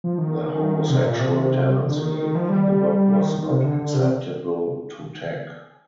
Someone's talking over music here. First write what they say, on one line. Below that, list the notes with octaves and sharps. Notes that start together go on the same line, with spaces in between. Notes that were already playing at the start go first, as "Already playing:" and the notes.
The homosexual tendency in the book was not acceptable to Tak.
F3
D#3
C3
A#2
C3
D3
D#3
F3
G3
G3
D#3
D#3
C3
D3
D3
C3